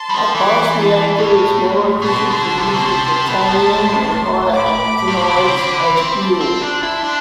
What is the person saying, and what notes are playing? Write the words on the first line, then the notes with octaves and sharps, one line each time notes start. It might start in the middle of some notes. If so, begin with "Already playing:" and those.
A fast reactor is more efficient for using plutonium and higher actinides as fuel.
Already playing: A5 C6
G3
F3
E3 B5 D6
A5 C6
A2
B2 A5 C6
D3
C3
B2
C3
C3
B2
A2
B5 D6
G2
A2
B2
C3
D3
E3
C4
A5 C6
C4
D4
E4
D4